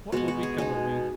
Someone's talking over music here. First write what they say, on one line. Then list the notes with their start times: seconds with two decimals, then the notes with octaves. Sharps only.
What will become of me?
0.12 B2 G#3 B3 F#4
0.28 F#4
0.43 G#4
0.58 B2 G#3 D#4 G#4